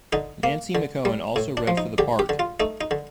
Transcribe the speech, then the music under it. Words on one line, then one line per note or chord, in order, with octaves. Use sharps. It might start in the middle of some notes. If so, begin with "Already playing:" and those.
Nancy McKeon also read for the part.
D3 D#4
A#3
D3
G3
A2
D4
F3
D#4
D3 G4
G4
D3
F4
A3 D#4
D#4
D3